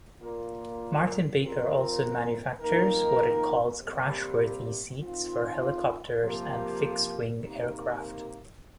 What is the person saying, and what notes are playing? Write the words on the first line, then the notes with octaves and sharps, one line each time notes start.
Martin-Baker also manufactures what it calls "crashworthy" seats for helicopters and fixed-wing aircraft.
A#2 A#3 F4 A#4
F3 C4 F4 A#4
F2 D#3 A#3 D#4 A#4
C3 G3 A#3
D#3 C4 F4
C3 F3 A#3 G4
C3 D#3 A#3